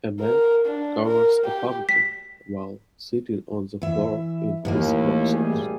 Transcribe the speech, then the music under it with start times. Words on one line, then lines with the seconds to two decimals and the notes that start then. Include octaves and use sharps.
A man carvers a pumpkin while sitting on the floor in his boxers.
0.20 A#4
0.66 D4
1.05 A#4
1.45 G4
1.89 B6
3.82 E3 E5
4.65 D#2 A2 E3 A#3
5.31 G#1 G3 G#4